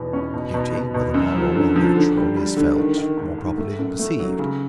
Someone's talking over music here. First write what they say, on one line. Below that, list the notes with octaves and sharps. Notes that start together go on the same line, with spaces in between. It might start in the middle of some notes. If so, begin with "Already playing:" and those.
Beauty, whether moral or natural, is felt, more properly than perceived.
Already playing: E2 B2
C#4
B2
B2
B2
B2
F#2
F3
D3
F3
D3
G3
G3
D3
D#3
D#3
G#2
G#2
A3
F#2
A3
F#3
C#3